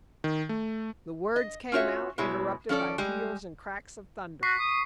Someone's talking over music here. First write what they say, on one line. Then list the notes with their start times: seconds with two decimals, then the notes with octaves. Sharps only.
The words came out, interrupted by peals and cracks of thunder.
0.24 D#3
0.49 A3
1.36 D#5
1.72 C#4 F4 F#4 C#5 E5
2.18 B2 G#3 E4 C#5
2.69 F3 C#4 A4 D5
2.98 G3 G#3
4.43 F#4 C#6 B6 C7
4.60 D#6